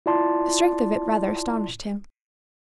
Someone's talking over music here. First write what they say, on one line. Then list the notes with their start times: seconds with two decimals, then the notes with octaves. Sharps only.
The strength of it rather astonished him.
0.06 E4 F4 D5 A5 C6